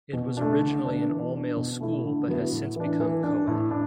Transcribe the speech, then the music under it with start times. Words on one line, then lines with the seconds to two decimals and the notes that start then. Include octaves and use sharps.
It was originally an all-male school, but has since become co-ed.
0.13 B2
0.37 A3 D4
0.61 D3
0.85 B3 D4
1.09 E3
1.32 D4
1.57 B2
1.80 A3 E4
2.04 D3
2.28 F#3 B3 E4
2.52 A2
2.76 E3 D4
3.00 E3
3.23 D4
3.47 A2
3.71 D4